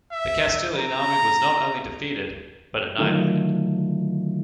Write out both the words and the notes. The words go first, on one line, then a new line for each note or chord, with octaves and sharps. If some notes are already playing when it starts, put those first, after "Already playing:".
The Castilian army was not only defeated, but annihilated.
E5
A#5
D3 D#3 F#3 A3 D#4 F4